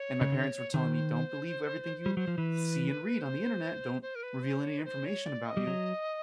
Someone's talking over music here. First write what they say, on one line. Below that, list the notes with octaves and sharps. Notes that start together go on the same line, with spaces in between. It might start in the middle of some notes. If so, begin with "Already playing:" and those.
and my parents were telling me, "Don't believe w everything you see and read on the Internet, don't reveal any information about you."
Already playing: C#5
C#3
D3
D#3 C5
G3
F#3
F3
E3 B4
C5
C5
A#4
B4
C5
C#5
B4
C5
C#5
D5
D#5
G3
F#3